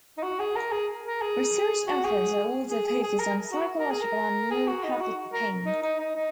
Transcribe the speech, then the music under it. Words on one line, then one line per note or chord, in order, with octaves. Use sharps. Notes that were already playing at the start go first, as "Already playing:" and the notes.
Research efforts are also focused on physiological and neuropathic pain.
D#4
F#4
G#4
A#4
G#4
A#4
G#4
F#4
G#4
G#4
G#4
G#4
A#4
F#4
A#4
G#4
A#4
G#4
F#4
D#4
F#4
A#4
D#4
D#4
D#4
D#4